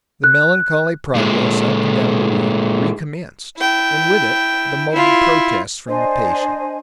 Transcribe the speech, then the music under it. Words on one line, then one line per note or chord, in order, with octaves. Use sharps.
The melancholy progress up and down the room re-commenced, and with it the mumbled protests from the patient.
F#6
A#2 G#3
E4 G5
E4 F4
D4 C5 D#5 G#5